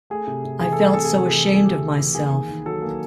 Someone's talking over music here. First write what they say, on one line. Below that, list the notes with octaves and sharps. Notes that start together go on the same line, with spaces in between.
I felt so ashamed of myself.
A3 G#4
C3
C3
E3 G#4
A4
A3 G#4
C3 A4
G#4
C3 A4
E3 G#4
A3
G#4
C3 G4
C3
E3
A#3 G#4
D#3
D#3
F#3 A4
A#3